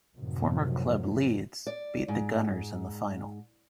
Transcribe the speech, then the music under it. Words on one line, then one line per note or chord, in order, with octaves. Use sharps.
Former club Leeds beat the "Gunners" in the final.
F#2 A2 C3 D#3 F3 F#3
D5
G#2